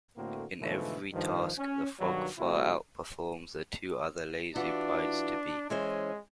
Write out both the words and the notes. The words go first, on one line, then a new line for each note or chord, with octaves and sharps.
In every task, the frog far outperforms the two other lazy brides-to-be.
A2 D3 A3 A#3 C4 F#4
G#2 B2 D3 E3 F3 A3
G2 D#3 F3
C#4
B1 G2 D#3 F#3 F#4
C3 G3 A3 C4 E4 F#4
E3 D4 F4 F#4
E3 G#3 C#4 C5